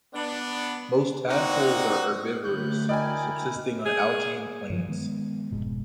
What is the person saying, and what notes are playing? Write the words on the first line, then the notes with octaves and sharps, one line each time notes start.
Most tadpoles are herbivorous, subsisting on algae and plants.
B3 D4
A#3 C4 D4 D#4 F#4
D2 A2 A3 F#6 G6
E4 A#4 D5 D#5 G5 G#5
G#4
G2 F3 F#3
D#3 G#3 A#3 B3
F1 G#2 B2